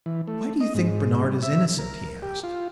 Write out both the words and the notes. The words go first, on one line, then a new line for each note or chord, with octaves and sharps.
"Why do you think Bernard is innocent?" he asked.
E3
A3
D#5
G#2
G3
E5
A#4
G4
F4